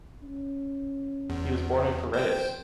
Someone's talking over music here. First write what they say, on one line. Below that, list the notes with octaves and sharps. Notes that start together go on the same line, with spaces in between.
He was born in Piraeus.
C#4
E2
F2 C5 G5